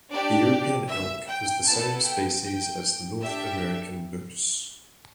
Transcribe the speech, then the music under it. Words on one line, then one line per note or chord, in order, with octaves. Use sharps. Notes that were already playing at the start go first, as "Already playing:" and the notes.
The European elk is the same species as the North American moose.
D4 G4 D5
E5
G5
B3 E4 A4 A5
G5
G5
D4 G4 E5